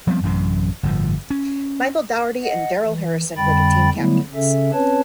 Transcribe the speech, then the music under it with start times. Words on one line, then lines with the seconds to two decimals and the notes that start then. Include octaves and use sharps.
Michael Dougherty and Darrell Harrison were the team captains.
0.07 F3 G3 B3 C4
0.23 A1 F#2 A2 C3
0.83 G1 A2 F3
1.30 C#4
2.43 D#5 F#5
2.83 E3
3.37 F2 D3 G3 G5 B5 A6
3.96 D3 F#3 G3 A3 B3 E4
4.34 C#3 C#4 A4 E5
4.73 C4 C#4 B4 C#5 A5